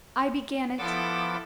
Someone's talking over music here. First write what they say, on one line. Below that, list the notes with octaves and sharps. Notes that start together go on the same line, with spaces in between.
I began it!
F3 B3 E4 A4 D6